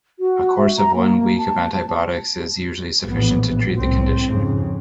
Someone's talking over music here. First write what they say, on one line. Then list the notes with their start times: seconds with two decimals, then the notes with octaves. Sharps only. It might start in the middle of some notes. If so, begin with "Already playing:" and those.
A course of one week of antibiotics is usually sufficient to treat the condition.
0.19 F#4
0.58 E5
0.77 A#5
0.95 A#3
1.38 A5
3.05 A#1 A2 E3 B3
3.77 C2 A2 C4
4.28 F2 G#2 C#3